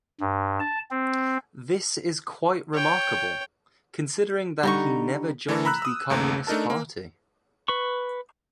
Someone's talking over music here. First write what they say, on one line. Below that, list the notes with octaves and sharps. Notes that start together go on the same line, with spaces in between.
This is quite remarkable, considering that he never joined the Communist Party.
G2
A5
C4
C#5 G5
D3 G3 D#4 A#5 C#6
E3 A3 E4 A4 A#4
A#5 B5 E6 F#6
D#6 E6
G1 D#2 A3 A#5
A3 D4 D#4 A#4 A5
A#3
B4 C#6